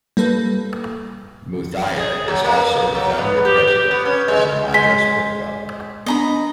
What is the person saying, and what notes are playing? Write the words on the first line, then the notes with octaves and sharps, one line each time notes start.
Muthiah is also the founder-President of the Madras Book Club.
G3 A#3 A4 B4
G#4
F#3
A#3
C3
F#3
B3
G4
G4
B3
C#4
G#3
G#3 C5 G#5 B6
B3 D4 D#5 A#5 B5